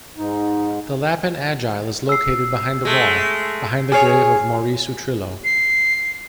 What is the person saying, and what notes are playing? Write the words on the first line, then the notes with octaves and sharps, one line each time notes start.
The Lapin Agile is located behind the wall, behind the grave of Maurice Utrillo.
G#2 D#4
E6 C7
G#3 A3
G#4 C#5 G#5 F6 C7
C7